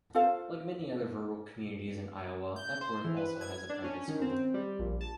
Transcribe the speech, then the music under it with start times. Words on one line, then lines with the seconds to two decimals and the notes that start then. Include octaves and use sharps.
Like many other rural communities in Iowa, Epworth also has a private school.
0.15 F4 A4 C5 F5
2.56 G6
2.81 C5
3.04 E3
3.17 B4
3.41 G#6
3.69 D4
3.84 C#4
4.08 D#3
4.22 C4
4.54 G3
4.79 A#1
5.01 A5